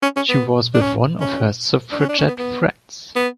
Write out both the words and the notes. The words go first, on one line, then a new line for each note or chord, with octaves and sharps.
She was with one of her suffragette friends.
C#4
C#4
B3
D4
C#4
C#4
D4
C#4
D4
C#4
B3
B3
B3